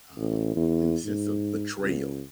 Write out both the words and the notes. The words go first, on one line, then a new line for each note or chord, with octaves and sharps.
um, in a sense of betrayal,
A1
E2
G#2
C#2